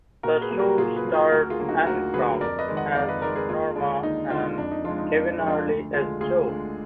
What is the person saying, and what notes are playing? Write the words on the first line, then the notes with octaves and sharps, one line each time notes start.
The show starred Ann Crumb as Norma and Kevin Earley as Joe.
A#2 F#4 A#4
G#4 B4
F#3 A#3
F#4 A#4
A#4
A#2 F4 G#4
G#4 B4
F#3 A#3
F4 G#4
D2 F#4 A#4
F4 G#4
D3 F#3 A#3
D#4 F#4
D2 F#4 A#4
D3 F#3 A#3 G#4 B4
F2 A#4 D5
B4 D#5
D#3 G#3
D#5 F#5
F2 D5 F5
B4 D#5
D#3 G#3 A#4 D5
G#4 B4
D#2 F4 G#4
D3 G#3 D4
D#2 D#4
D3 G#3 D4 F4
F2 D4
D#4
F3 G#3 D4 F4
D#4
F2 D4
F3 G#3
D4 F4
D2
D3 G#3 F4 G#4
D2 F4 G#4
D3
G#3